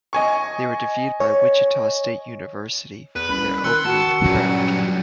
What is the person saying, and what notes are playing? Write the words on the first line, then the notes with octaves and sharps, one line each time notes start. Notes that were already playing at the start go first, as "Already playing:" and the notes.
They were defeated by Wichita State University in their opening round game.
D#5 G#5 C#6
C#5
E2 B4
C2 C#4 B5
D#3 A#4 C6 E6 F#6 C#7
F#4 F#5 A5
G2 A#2 F#3 G3 C#4